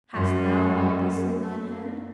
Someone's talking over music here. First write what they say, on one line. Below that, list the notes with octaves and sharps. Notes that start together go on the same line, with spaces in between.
Hast thou all this in thine head?
F#2